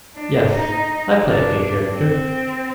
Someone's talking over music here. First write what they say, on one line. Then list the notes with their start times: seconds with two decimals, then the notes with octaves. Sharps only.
Yes, I play a gay character.
0.16 D4
0.50 D#4
1.21 D4
1.91 C4